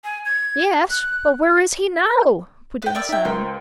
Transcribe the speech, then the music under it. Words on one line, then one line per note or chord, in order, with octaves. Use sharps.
"Yes; but where is he now?" put in Sam.
G#5
G#6
F#6
B4 G5
A#4 D5 E6
D#4 E5 G5
C#2 A#4 C5 G5